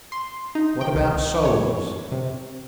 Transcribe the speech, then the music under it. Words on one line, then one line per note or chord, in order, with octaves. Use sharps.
"What about souls?"
C6
D#4
G5
C2
C#5
C3